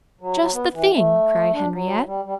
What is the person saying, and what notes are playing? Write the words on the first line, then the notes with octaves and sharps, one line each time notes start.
"Just the thing!" cried Henriette.
F#3
F#3
B3
E3
A3
D4
F#3
G3
G3